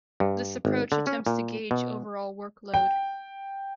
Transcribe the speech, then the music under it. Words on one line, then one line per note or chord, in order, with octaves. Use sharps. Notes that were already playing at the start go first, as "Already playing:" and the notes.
This approach attempts to gauge overall workload.
G2
G#1
D3
C#4
A#2
B2
G5